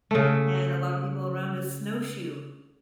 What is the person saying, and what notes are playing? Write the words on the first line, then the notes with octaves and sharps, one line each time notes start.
and a lot of people around us snowshoe.
C#3 A3